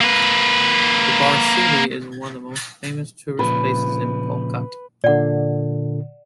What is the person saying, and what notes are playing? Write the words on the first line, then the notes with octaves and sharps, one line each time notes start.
Gobbarsilli is one of the most Famous tourist places in Palkot.
A#3 B4
A#2 C#3 F3 B4
A#2 D3 D5 F#5